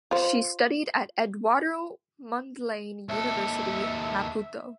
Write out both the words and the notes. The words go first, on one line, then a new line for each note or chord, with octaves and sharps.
She studied at Eduardo Mondlane University, Maputo.
F4 C5
D#2 A4 E5